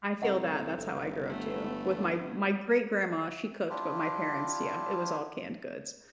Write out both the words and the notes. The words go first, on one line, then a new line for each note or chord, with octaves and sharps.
I feel that, that's how I grew up too, with my my great grandma, she cooked, but my parents yeah, it was all canned goods.
C2 A4 D#5 F#5 A#5
G1
A3 B3
D4 E4 F4 G4